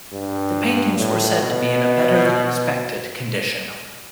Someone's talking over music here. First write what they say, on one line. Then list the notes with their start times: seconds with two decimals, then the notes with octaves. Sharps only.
The paintings were said to be in a better-than-expected condition.
0.13 G2
0.99 A2
1.41 B2